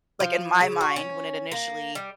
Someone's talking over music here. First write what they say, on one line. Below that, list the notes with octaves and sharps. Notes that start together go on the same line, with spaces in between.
like, in my mind, when it initially
F3
C#3
F#4
C#4
A#3
G3